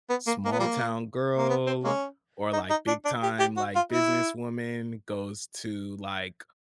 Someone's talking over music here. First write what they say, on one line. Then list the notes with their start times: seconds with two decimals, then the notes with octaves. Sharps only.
small-town girl, or like big-time, like, businesswoman goes to, like,
0.10 B3
0.27 A#3
0.45 A#3
0.52 B3
0.60 F3 G3 A#3
1.38 A#3
1.49 B3
1.67 C4
1.84 G#3 A#3 C#4
2.53 D#4
2.70 D#4
2.88 D4
3.05 D4
3.23 G4
3.40 G4
3.57 F#4
3.75 F4
3.92 E4